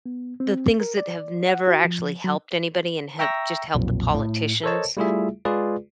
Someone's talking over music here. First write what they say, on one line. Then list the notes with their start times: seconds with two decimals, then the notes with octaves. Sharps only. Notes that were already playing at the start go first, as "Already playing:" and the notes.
the things that have never actually helped anybody and have just helped the politicians.
0.06 B3
0.40 C4
0.80 A#4
0.97 D5
1.49 F#5
1.68 F#4
1.85 F3
2.24 F#3
3.19 E5 G5 A#5 C#6 E6 A#6
3.74 B1 F2 A#2
4.14 A2
4.64 A4 A#4 C5 C#5 D#5 A5
4.97 G3 A3 E4 F4 G#4 E5
5.45 G#3 F4 G#4 B4 D5